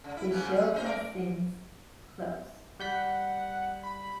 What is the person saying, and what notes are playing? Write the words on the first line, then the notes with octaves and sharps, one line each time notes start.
The show has since closed.
C#3
E4
G#2 C#3
G#4
C#4 D#4 C5
A#4 D5
G3 F#5 G6 B6
B5